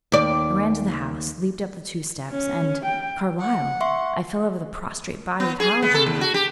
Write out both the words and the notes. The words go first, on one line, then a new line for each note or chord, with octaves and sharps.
I ran to the house, leaped up the two steps, and--Carlyle--I fell over the prostrate body of Hallijohn!
D#2 D5
C#4
G5
F#5
E5 C6 C#6
B3
G#4
B3
A4
D#2
F#4
G4